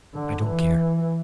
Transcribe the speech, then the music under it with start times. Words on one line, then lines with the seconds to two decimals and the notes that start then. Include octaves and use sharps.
I don't care.
0.14 D3
0.45 E3